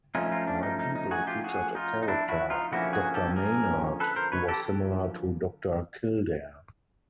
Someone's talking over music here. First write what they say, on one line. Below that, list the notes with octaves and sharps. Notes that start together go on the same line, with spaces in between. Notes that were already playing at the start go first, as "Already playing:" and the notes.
"My People" featured a character, "Doctor Maynard", who was similar to Doctor Kildare.
F3 A3 C#4 D#4 F4
D#4 F4
D4
D#4
D#4
D#4
F#4 G#4
F4 G4
F#4 G#4
D#4 F4
D#4
D4 E4
E4 F#4
D#4 F4
D3 F3 A#3 C#4 E4 F#4
F#4 G#4
G4 A4
G#4 A#4
A4 B4
A#4 C5
B4 C#5
G4 A4